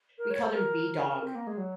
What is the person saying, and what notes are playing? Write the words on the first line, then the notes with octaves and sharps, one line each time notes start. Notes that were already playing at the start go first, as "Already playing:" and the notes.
We called him B-Dog,
A#4
C#5
C5
A#4
C4
A#3
G#3
F#3